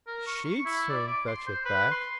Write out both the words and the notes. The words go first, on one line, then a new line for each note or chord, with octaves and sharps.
'She'd soon fetch it back!'
A#4
C#6
C#6
E4
D5
D6
C6
C5
B4
C6